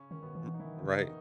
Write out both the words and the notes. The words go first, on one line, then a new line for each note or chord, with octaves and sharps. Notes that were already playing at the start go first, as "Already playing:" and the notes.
M Right.
Already playing: C#3 C#4
D#3 C#4
B2 B3
E3
D#4
D#3 E3 E4
C#3
D#3 D#4